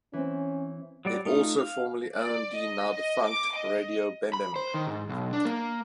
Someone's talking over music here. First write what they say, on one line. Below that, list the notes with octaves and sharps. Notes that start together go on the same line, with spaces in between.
It also formerly owned the now defunct Radio BemBem.
E3 C4 C#4
F#3 G3 D5
A3 D#4 F4
F5
D5
D#5
D#5
D6
D#5
B5
C5
D#3
G#2
B1
D4
A#3